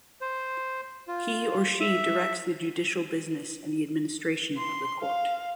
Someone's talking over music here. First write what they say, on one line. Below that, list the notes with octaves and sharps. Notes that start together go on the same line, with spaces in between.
He or she directs the judicial business and the administration of the Court.
C5
F4
E5
C6
F5